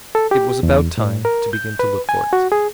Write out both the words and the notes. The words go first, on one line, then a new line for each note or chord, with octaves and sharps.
It was about time to begin to look for it.
A4
G4
E2
A2
A#4
G6
B4
G#5
F#4
G#4